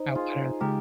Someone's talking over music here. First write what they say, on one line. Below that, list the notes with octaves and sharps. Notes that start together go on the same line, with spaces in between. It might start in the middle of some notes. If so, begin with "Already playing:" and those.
I wanna
Already playing: D#4 C5
F4 G#4
C#3 G#3 G4 A#4